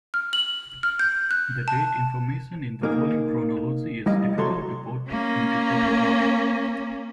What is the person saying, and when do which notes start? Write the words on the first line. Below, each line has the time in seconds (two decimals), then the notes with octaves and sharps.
The date information in the following chronology is difficult to put into proper order.
0.14 F6
0.33 F#7
0.83 F6
0.99 G6
1.31 F#6
1.68 A5
2.83 A#3 D#4 G#4
4.06 G3 E4 D#5 F5
4.37 C3 F#3 A4 C#5 C6
5.10 A#3 C#4